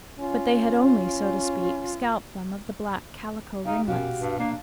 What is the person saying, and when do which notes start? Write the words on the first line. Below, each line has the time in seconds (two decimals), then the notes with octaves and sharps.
But they had only, so to speak, scalped them of the black calico ringlets!
0.19 C#4 F4
3.65 D1 C#3 D#4 G4 F5
3.87 A#1 F#2 B2 F#4 G4 F5
4.20 G2
4.39 A#3 D4